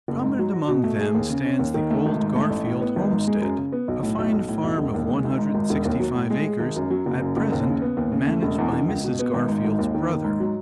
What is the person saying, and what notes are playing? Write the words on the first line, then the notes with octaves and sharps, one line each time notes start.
Prominent among them stands the old Garfield homestead - a fine farm of one hundred and sixty-five acres, at present managed by Mrs. Garfield's brother.
F#1
G#2
F#3
F#4
B2
A3
G#4
D#2
C#3
C#4
D#2
D#3
A3
G#1
G#2
A3
A1
A2
B3
G#1
G#2
G#3
F#2
C#3
B3
B1
A2
B1
B1
A2
B1
E1
D#2
G#3
G#1
G#2
G#1
E1
D#2
F#3
A2
G#3
G#4
G#1
F#2
F#3
F#1
F#2
F#1
D#2
C#3
B3
D#2
C#3
A3
E1
E2
E1
C#2
B2
B3
G#1
G#2
G#1
D#2
D#3
D#2
G#2
F#3